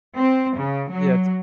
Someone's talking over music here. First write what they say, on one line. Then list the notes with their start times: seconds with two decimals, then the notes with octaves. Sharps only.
Yeah, t
0.16 C4
0.57 C#3
0.92 F#3